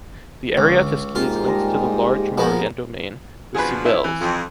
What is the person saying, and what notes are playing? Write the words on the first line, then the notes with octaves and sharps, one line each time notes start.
The area to ski is linked to the large Maurienne domain, the Sybelles.
C#2 D3
G#2 A#3 F4 G4
G3 G#3 A#5
F3 B3 G#4 A#4 G5
B2 D3 F3 G#4 B4
E4
E3
F2